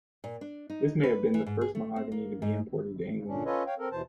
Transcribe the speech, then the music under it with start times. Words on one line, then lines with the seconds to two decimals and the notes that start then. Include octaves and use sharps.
This may have been the first mahogany to be imported to England.
0.24 A#2
0.41 D4
0.70 D#4
1.03 B4
1.34 E3
1.46 G#2
1.61 G#4
1.75 A3
1.96 C4
2.12 A#3
2.42 G#2
3.16 G#2 C#3
3.28 A#2 D3 C#4 D4
3.45 C#4 F4 A4 B4 C#5 D#5
3.67 C#5 F5 G5
3.79 C4 A4 A#4
3.92 D#2 B2 E3 C5 A5